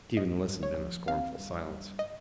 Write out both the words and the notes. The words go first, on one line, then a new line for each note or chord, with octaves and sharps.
Stephen listened in scornful silence.
G2 D#5
G2
C#5
F3
C4 F5
G2
G2
D#5